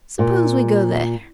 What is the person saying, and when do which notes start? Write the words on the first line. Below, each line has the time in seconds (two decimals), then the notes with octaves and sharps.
Suppose we go there.
0.19 A#2